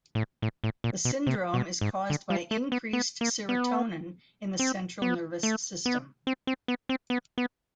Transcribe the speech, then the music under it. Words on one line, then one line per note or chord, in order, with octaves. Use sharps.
The syndrome is caused by increased serotonin in the central nervous system.
A2
A2
A2
A#2
B2
C3
B2
G#2
D3
G3
A3
B3
B3
A#3
B3
C4
B3
A3
B3
C4
C4
B3
C4
B3
B3